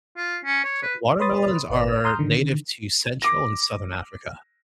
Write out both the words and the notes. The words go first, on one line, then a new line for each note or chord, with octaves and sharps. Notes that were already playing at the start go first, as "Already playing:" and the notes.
So, watermelons are native to Central and Southern Africa.
F4
C#4
C#5
B4
B4 C#5 B5 C6 D#6 A6
G#1 B4 D5
A#5 C6 D#6 F6 G6
D3 D#3
D6 A#6